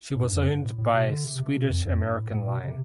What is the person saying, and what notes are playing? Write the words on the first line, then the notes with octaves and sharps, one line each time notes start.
She was owned by Swedish American Line.
A2
G2
F2
G2
A2
A2
B2
D3
C3
C3
B2
F2
F2
G2
A2
A2
B2
C3
C3